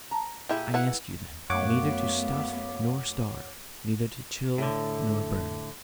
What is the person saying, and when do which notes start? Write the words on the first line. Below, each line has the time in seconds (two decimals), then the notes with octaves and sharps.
I ask you, then, neither to stuff nor starve; neither to chill nor burn.
0.11 A#5
0.49 A#2 E4 G4 G#4
0.74 E4 B4 F#5
1.50 F#2 A3 B3 C#5 F5 F#5 D6
4.58 A2 D3